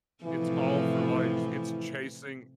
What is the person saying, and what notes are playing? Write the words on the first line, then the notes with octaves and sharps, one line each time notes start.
It's all for, likes, it's chasing
A2 C3 E3 F3